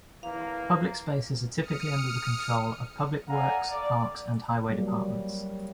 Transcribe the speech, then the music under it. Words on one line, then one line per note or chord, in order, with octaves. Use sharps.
Public spaces are typically under the control of public works, parks, and highway departments.
E3 A#3 F5
D#6 F6 C#7
A4 D5 F5 F#5 G#5 A#5
D5
F#3 G3 A#3